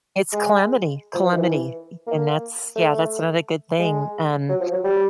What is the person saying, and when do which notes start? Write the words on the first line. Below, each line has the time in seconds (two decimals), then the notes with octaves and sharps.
It's calamity, calamity, eh, and that's yeah, that's another good thing, um
0.33 G#3
1.14 F3
1.26 F3
1.33 D#3
1.37 E3
2.07 A#3
2.75 A3
3.79 G#3
4.49 F#3
4.60 F3
4.72 F#3
4.84 G3